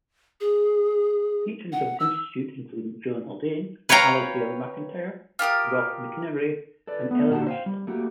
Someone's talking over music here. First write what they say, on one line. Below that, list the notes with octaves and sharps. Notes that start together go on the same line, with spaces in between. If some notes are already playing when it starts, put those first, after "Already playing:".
Patrons of the institute include John Haldane, Alasdair MacIntyre, Ralph McInerny and Eleonore Stump.
G#4
F#5
E6
B4 C#5 F5 G5 A#5
F4 G4 A#4 D#6
A4 B4 D5
A3 B3
A#2 A#3 F#4 G4 A5
C5 F5 G5
G3
A3 A#3 F#4 G4